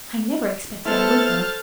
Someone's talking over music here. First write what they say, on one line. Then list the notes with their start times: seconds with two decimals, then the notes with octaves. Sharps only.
I never expected I would, though.
0.86 B3 E4 A4 C5 A5 F6 A6